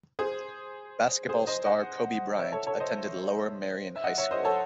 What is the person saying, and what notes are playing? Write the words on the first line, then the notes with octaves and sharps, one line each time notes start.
Basketball star Kobe Bryant attended Lower Merion High School.
G#4 C5
G#4 C5
C5 D#5
D#5 F#5
C#5 E5
A4 C#5
A4 C#5
C5 D#5
E5
D#5 F#5
C#5 E5
C5 D#5
A4 C#5